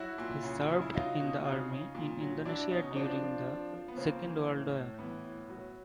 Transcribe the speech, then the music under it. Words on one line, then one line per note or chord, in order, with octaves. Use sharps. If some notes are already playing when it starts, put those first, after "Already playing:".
He served in the army in Indonesia during the Second World War.
Already playing: F#3 E4 F#4
A#2
C#3
C#3
E4
F#3 D#4 F4
B2
C#3
C#3
A#2
F#3
F#3 D4 E4
B2 C#4 D#4
D#4
F3 C4 D4
F3
F3
F3
B3
C#3 A#3 C4
E3
A2
A2
E3 B3
A2
F#3